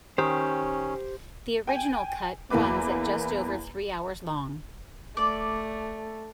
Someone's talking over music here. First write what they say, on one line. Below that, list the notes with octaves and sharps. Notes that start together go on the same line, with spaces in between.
The original cut runs at just over three hours long.
D#3 C#4 G4 C5
G5 G#5
E2 A#3 E4 B4 D6
A3 D5